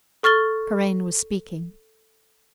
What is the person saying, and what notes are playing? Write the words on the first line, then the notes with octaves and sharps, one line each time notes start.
Karain was speaking.
A4 C#6 F6 A6 G7